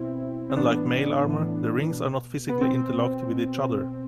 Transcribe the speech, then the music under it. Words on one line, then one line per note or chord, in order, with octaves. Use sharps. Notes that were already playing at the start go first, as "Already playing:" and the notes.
Unlike mail armour, the rings are not physically interlocked with each other.
Already playing: B2 C4 E4
C4
A2 E3 B3 D4
A2 E3
B2
B3
B2 C4
B2